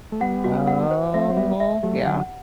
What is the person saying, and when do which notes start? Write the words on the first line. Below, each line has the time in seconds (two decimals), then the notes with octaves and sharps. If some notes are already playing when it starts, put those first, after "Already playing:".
Oh yeah.
0.12 A3
0.21 G3 B3 F#5
0.44 F#4
0.67 F#5
0.91 C5
1.14 A3 C4 E5
1.30 C4
1.37 G3 B3 E5
1.60 E5
1.83 F#3 A3 G4
1.97 G3
2.06 D3 F#3 F#5